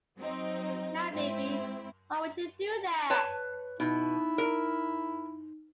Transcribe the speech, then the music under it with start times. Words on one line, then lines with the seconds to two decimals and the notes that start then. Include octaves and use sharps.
Now, baby, why would you do that?
0.17 F#3 C4 D#4
1.11 G#2 C4 E4
3.10 B4 C#5 A5
3.80 B2 D#4 E4
4.38 A#4